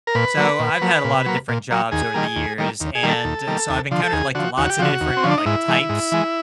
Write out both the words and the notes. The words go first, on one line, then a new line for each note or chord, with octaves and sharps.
So, I've had a lotta different jobs over the years, and so, I've encountered, like, lots a different, like, types
A#4
A#2 B4
F#3 A#3
A#2
F#3 A#3
A#2
F#3 A#3
A#2
F#3 A#3
D#2 G#4
D#3 G3 A#3
D#2
D#3 G3 A#3
D#2
G#4
D#3 G3 A#3
A4
D#2
D#3 G3 A#3
D#2
D3 F3
A4
D#2 G#4
D3 F3 F#4
D#2 F#4
G4
D3 F3 F#4
D#2
C4
D3 F3 C#4
D4
D#4
G#2 E4
E3 G#3
G#2
E3 G#3